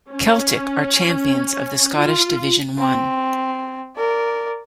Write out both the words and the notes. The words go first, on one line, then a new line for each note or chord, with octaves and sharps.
Celtic are champions of the Scottish Division One.
C#4
F4
C4
A#4 D5